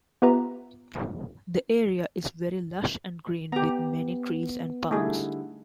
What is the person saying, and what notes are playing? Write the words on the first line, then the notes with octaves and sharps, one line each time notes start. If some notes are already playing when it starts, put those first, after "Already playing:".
The area is very lush and green with many trees and parks.
B3 F4 G4 B4 E5 A#5
B3 G4 A#5
D3 G3 A3 D#4 E4 G#4